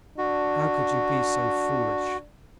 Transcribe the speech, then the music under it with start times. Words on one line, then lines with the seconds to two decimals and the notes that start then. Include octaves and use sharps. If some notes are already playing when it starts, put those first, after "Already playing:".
"How could you be so foolish?"
0.18 D4 F#4